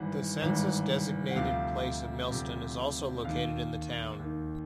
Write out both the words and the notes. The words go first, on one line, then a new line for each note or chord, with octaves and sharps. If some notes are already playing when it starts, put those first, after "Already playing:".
The census-designated place of Millston is also located in the town.
Already playing: G#1 G2 E3 F#5
G#1 G2 E3
F#5
D2 C3 F3 F5
D2 C3 F3
D#2 D#3 F5
D#2 D#3